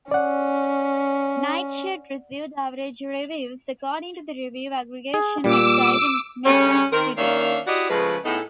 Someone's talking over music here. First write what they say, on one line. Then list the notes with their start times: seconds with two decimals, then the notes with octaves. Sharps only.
"Nightshade" received "average" reviews according to the review aggregation website Metacritic.
0.11 C#4 D5 F#5
5.14 G#4
5.44 A#2 G3 D6 E6
6.45 C#3 G3 A3 C#4
6.91 D#3 C4 A#4
7.17 D#3 A#3 C#4 D4 E5 F5
7.67 E4 F#4 G4 D5 D#5
7.89 C#3 F3 G#3 A3 B4
8.24 A2 B3 D#4 G#4 A4